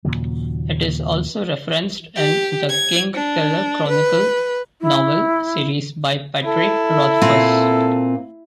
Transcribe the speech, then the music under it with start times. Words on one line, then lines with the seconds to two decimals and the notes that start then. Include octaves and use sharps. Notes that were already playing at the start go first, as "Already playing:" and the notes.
It is also referenced in "The Kingkiller Chronicle" novel series by Patrick Rothfuss.
0.05 D#2 A#2 C#3 F#3
2.16 G4
2.69 G#6
3.14 D4
3.87 B4
4.81 E4
6.45 E4 A4
7.22 A#2 C4 F5